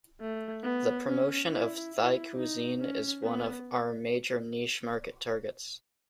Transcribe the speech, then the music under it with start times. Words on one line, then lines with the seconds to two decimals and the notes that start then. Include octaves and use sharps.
The promotion of Thai cuisine is one of our major niche-market targets.
0.21 A3
0.63 B3
1.07 C#4
1.51 E4
1.94 E4
2.36 D#4
2.80 C#4
3.23 B3